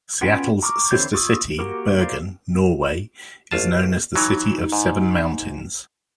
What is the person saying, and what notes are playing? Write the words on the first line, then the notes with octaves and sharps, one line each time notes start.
Seattle's sister city, Bergen, Norway, is known as the City of Seven Mountains.
B3 C#4 F4 G5 G#5
A#5 C#6 D6 F6
D3 E3 C4 C#5 G6
F4 C#6 D#6 E6
A#3 F#4 G4 A#4
A#4 C5 D5 F5
A1 F4 A5
E3 F#3 D#4
G#2